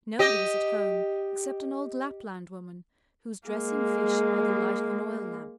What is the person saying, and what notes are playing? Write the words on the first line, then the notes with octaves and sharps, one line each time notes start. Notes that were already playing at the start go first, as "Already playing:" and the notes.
Nobody was at home except an old Lapland woman, who was dressing fish by the light of an oil lamp.
G4 D#5
G#3 A#3